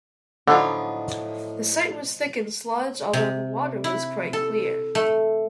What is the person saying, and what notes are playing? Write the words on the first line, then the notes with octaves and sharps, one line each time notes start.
The site was thick in sludge, although the water was quite clear.
A2 D3 F3 F#3 B3 D4 D#4
C3
E4
A4
A3